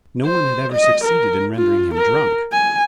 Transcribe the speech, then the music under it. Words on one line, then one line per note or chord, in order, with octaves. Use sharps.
No one had ever succeeded in rendering him drunk.
C5
D#5
A#4
F4
A#4
G#5